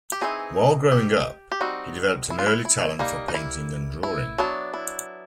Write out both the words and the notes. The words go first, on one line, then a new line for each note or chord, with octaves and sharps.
While growing up, he developed an early talent for painting and drawing.
G4
E3 G#3 C4 D#4 G#4
G4
G4
G3 C4 D#4 F#4
E4
F4
E4
E4
G3 A#3 D#4
D#4
E4
E4
F#3 B3 D4
E4